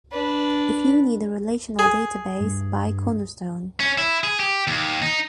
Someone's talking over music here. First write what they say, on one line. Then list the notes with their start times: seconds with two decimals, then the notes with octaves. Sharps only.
If you need a relational database, buy Cornerstone.
0.12 D4 B4
1.79 G#4
2.40 G2
3.80 C#4
3.98 E4
4.24 G#4
4.40 G4
4.67 D#2
5.02 D#4